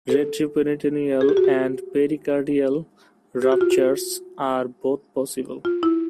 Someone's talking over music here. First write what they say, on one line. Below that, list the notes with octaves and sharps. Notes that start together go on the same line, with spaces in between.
Retroperitoneal and pericardial ruptures are both possible.
A4
G#4
G4
F#4
G4
G4
F#4
F4
F#4
F4
E4